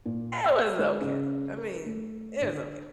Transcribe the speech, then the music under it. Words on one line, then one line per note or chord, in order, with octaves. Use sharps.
It was okay, I mean, it was okay,
A#2
E6
G#3
C#3
A#4
A3
D3